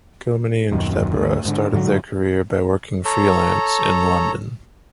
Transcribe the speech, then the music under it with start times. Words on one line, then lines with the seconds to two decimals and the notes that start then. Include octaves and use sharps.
Kilmeny and Deborah started their career by working free-lance in London.
0.72 D#1 F#2 D#3
1.14 D2
1.45 G#2 D3
1.73 G#2 D3 E3 F#3
3.05 A4 C#5 A#5